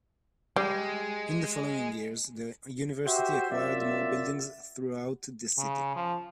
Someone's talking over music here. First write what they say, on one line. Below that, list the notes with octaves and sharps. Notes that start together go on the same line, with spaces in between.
In the following years, the university acquired more buildings throughout the city.
G3 G#3
F#4 G4 C5 E5
F#2 F4 D5 E5
C#3
F3